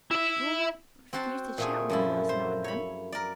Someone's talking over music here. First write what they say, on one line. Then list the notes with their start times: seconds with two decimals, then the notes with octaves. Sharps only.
"You will not refuse to chat with me thus now and then?"
0.11 E4 E5
1.13 C4 F#4 C5 F#5 A5
1.58 A#2 A3 G#4
1.90 F#2 F3 E4
2.29 C5
2.64 C#5 B5
3.12 A#4 D5